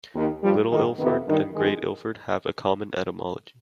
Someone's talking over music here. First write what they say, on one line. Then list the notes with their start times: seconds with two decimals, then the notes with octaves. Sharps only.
Little Ilford and Great Ilford have a common etymology.
0.15 D#2 D#3
0.42 G2 F3 G3
0.71 G#2 D#3
0.99 F2 C3 D#3 B3
1.27 G2 D#3
1.55 F2 D#3 G#3